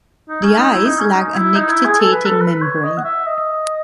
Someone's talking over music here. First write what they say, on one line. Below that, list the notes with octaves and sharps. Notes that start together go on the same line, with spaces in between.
The eyes lack a nictitating membrane.
D#4
C#4
D#4
E4
D#4
C#4
D#4
E4
D#4
E4
G#4
A4
B4
A4
B4
C#5
D#5
F#5
E5
D#5